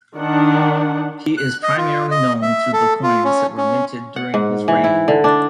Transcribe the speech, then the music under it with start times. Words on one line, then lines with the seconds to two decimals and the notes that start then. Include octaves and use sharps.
He is primarily known through the coins that were minted during his reign.
0.16 D#3 D4 F#5
1.37 F#6
1.63 D#5
1.77 F4
2.11 D#5
2.42 E5
2.73 A4
3.03 F4
3.24 C#4
3.58 C#4
4.16 F#5
4.34 G#2
4.68 E3
4.84 E4
5.08 D3
5.24 D4